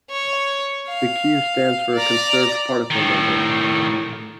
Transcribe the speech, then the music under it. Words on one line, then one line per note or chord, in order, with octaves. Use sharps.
The Q stands for a conserved particle number.
C#5
F5
D5 A#5
A2 D#3